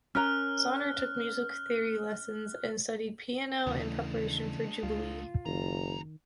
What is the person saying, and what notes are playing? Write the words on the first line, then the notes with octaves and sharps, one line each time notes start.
Zauner took music theory lessons and studied piano in preparation for "Jubilee".
C#4 A#4 A#5 F6 F#6
D#2 C#3 E3 G#3 A3 D4
C#2 F4
F#1 A2 D#3 A#5